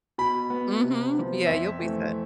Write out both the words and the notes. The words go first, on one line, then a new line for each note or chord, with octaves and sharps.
Mhm. Yeah, you'll be set.
B2 B5
B3
C3
F3 B3
F2 E5
E3 A3 C4